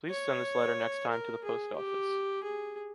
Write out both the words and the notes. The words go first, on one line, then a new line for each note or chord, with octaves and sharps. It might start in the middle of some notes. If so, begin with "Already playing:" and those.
Please send this letter next time to the post office.
C#5
A#4
G#4
G4
G#4